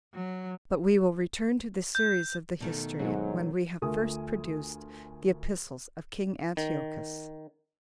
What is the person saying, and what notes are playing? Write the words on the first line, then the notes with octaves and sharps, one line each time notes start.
But we will return to the series of the history, when we have first produced the epistles of king Antiochus.
F#3
G6
B2 D#3 A3
G#2 F#3
D2 A3 F4 A#4 G#5 D#6
D#3